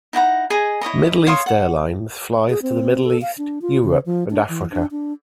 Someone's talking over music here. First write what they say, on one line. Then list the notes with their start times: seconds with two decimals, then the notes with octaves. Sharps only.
Middle East Airlines flies to the Middle East, Europe, and Africa.
0.13 D#4 E4 F#5 A#5
0.50 G#4 D#5 G#5 A#5
0.81 E4 C#5 D#5 A#5
1.27 C#5 F5 C6 D#6
1.46 F#5
2.49 G#4
2.62 C4
3.04 A4
3.22 F5
3.38 D4
3.62 F4
3.83 C#3
4.06 F3
4.31 D4
4.48 E3
4.72 D4
4.91 D4